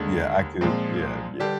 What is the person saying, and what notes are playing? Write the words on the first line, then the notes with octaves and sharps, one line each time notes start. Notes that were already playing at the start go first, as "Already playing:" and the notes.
Yeah, I could yeah, yeah.
Already playing: D#2 D3 G#3
A#2 F3 G#3 C4
D3 G3 D4 G4